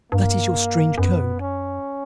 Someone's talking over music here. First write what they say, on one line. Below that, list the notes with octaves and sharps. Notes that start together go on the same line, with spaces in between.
That is your strange code.
G2 A#3
F#2 B3
C#4